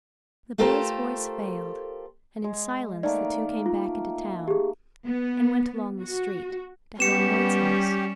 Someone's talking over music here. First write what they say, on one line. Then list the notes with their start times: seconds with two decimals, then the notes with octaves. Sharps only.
The boy's voice failed and in silence the two came back into town and went along the street to Helen White's house.
0.58 A3 F4 G4 A4 A#4 C5
2.44 G#3
3.03 D#3 A3 A#3 D5
3.66 F4
4.48 G4 G#4
5.06 B3
6.00 F#4
7.00 G3 B3 C#4 G4 C#7 E7